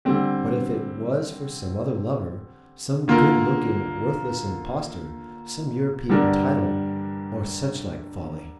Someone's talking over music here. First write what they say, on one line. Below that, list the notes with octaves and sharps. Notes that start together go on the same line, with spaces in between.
But if it was for some other lover, some good-looking, worthless impostor, some European title or suchlike folly--!
D3 G3 C4 G4
D3 A#3 F4 A#4
G2 D3 G3 D4 A#4